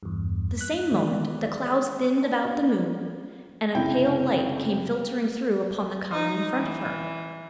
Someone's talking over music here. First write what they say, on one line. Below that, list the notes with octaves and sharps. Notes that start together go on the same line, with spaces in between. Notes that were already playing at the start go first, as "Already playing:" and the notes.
The same moment the clouds thinned about the moon, and a pale light came filtering through upon the common in front of her.
E2 G2
F#6 B6
D#3 E3 G#3 B3 D5
D4
F#1 C3 E4 G5
D#4
E3